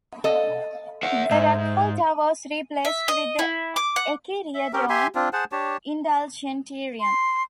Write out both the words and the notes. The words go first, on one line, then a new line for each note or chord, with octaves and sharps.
The "Raccolta" was replaced with the "Enchiridion Indulgentiarum".
A4 D#5
E5 F#5
G#2 E5
E5
D#5
E4
D6
F#5
E5
C4 C#4 G4 A#4
G4 E5 G#5 C6
C4 D4 F4
G#4 C5 F#5 A5
D4 G4 C#5 A5
C6